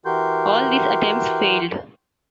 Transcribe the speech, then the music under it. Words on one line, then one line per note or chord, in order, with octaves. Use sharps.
All these attempts failed.
E3 F#4 G4 A#4 C6 G6